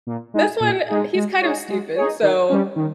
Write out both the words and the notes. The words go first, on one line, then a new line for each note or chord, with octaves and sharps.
this one, uh, he's kind of stupid, so,
A#2
G#3 D#4 G#4
A#2
G#3 D#4 G#4
G#3
D#4 G#4 C#5
G#3
D#4 G#4 C#5
D#3
G3 C#4
D#3